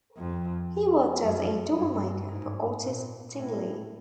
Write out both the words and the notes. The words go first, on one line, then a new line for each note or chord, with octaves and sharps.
He worked as a doll maker for Otis Tingely.
F2
F#2
G2
G#2
A#2
A2